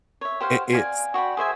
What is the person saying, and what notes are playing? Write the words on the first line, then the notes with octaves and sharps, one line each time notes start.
i it's
C#5 E5
G4 C5 F5 F#5
D5 F5 G#5
F#4 D5 G5 B5
G#4 C5 E5 G#5